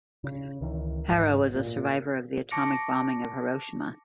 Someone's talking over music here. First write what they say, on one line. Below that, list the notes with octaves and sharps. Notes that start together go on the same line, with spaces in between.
Hara was a survivor of the atomic bombing of Hiroshima.
C#3
C#2 D#3 E3
G#1 G#2
A#2
A5 C#6 D6 A#6 C#7 D7